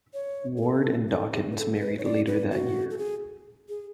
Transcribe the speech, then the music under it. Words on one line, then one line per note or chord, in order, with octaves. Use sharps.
Ward and Dawkins married later that year.
C#5
G#4
A4
A4
G#4
B4
A4
A4
B4
C#5
D5
B4
F#4
A4
G#4
G#4